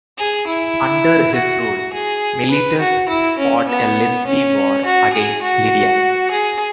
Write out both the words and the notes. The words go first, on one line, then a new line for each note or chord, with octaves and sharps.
Under his rule, Miletus fought a lengthy war against Lydia.
G#4
E4
F#4
G#4
B4
F#4
E4
C#4
B3
C#4
F#4
G#4
F#4
G#4